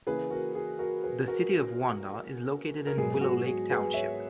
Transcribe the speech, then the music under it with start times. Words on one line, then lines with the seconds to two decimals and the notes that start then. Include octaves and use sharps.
The city of Wanda is located in Willow Lake Township.
0.07 C#3 E3 A#3 C#4 E4 G#4 B4
0.30 F#4 A#4
0.55 G#4
0.79 F#4 A#4
1.03 G#4 B4
1.28 F#4 A#4
2.87 A#4
2.97 G#2 F#3 B3 G#4
3.21 F#4
3.46 G#4
3.71 G#4 B4
3.94 C#5 E5